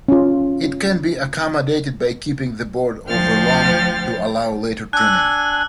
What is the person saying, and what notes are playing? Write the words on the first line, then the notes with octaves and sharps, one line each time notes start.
It can be accommodated by keeping the board overlong to allow later trimming.
C#4 F4
D2 F3 C5 G5 F6 A6
D4 G#5 E6 F#6